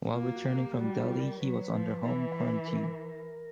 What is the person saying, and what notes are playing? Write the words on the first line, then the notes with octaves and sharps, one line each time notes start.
While returning from Delhi he was under home quarantine.
A#3 F4
F#4
F#4
G4
G3 F#4
F4
A#4
F#3 B4
F3
E3
A#4